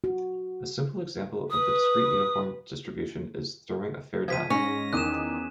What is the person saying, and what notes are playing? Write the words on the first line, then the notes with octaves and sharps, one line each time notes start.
A simple example of the discrete uniform distribution is throwing a fair die.
F#4
B4 D#6
C3 F3 G#6 B6 D#7
G#2 C#4 A#6
E2 D#3 D6 D#6 F#6 D#7 E7